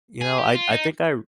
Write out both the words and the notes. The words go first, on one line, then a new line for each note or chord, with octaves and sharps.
you know, I I think I r
G#4
G4
F4
D#4